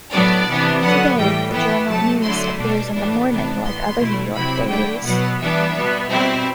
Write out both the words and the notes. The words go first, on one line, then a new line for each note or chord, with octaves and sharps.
Today, "The Journal News" appears in the morning like other New York dailies.
A2 F#3 B3 D4 D5
C3 E3 B3 D4
D3 F#3 B3 F#5
A2 E3 G3 G5
E3 B3 E4 G5
C3 F#3 A3 A5
D3 F#3 A3 E4 C6
B2 G3 D4
A2 E3 B3 D4
C3 E3 B3 D4
A2 E3 B3 C6
B2 A3 E4
C3 F#3 C4 E4 B5
D3 A3 E4 G5
B2 F#3 B3 F#5
E3 G3 B3 D4 E5
B2 G3 B3
B2 G3 C4 E4